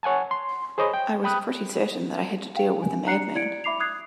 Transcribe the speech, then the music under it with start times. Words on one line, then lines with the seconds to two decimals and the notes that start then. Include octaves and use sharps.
I was pretty certain that I had to deal with a madman.
0.03 C#5 F#5 G#5 A5
0.31 C6
0.78 G#4 C5 C#5 D#5 B5
0.94 G5
1.24 G5 B5 D#6 F#6
2.56 F5 G5
2.82 G#5
3.06 D4 A#5 F#6 C7 C#7
3.35 E4 D5 G#6 C#7 D7
3.64 E5 B5 D6 C7 F7
3.80 D#6 F#6 G#6 C7